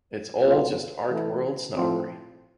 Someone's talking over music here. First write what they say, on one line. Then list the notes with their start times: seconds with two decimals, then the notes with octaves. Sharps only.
It's all just art world snobbery.
0.43 C2 B2 B3 F4
1.09 E3 A3 E4
1.75 A2 F3 C4